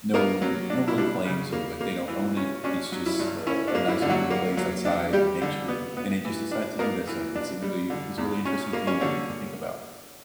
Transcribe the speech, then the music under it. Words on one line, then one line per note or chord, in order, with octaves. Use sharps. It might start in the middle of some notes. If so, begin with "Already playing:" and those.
no no real claim to, like, they don't own it, it's just, uh, a nice looking place outside in nature, and they just decide to do that stuff, it's a really it's a really interesting thing that people think about.
A#3 B3 A#4
F#3
D4
E4
G3 D4
C#3
A#3
A#3
E3
C#4
C#4 D4
F#3
E4
G2
C#4 E4
D4
A#3
E4
D3
F#3 F#4
A#3
F#3
D4
G3 G4
D3
B3
B3
E3
D4
A#3 B3 A#4
E3
D4
G3
D3
E2
C#4
A#3
C#4 C#5
D3